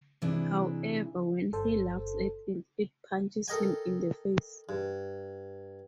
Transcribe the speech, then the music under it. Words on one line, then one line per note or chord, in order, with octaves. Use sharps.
However, when he laughs at it, it punches him in the face.
C3 E3 G#3 D4 E4 G#5
G1 A4 C5
A4 A#4 D#5 G5 G#5
G2